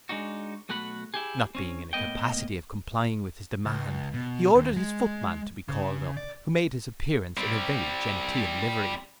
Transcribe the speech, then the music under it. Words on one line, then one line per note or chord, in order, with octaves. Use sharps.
Not being in a capacity of complying with his demand, he ordered his footman to be called up, who made his appearance in a very genteel livery.
G#3 D4 D#4 F#4
B1 A3 F#4 F#5 B5
E4 G4 G#4
C4 C#4
A2 A#3 B3 D#5 G5
C#2
B2
D#2
G#3
C#3
D5
G3 C4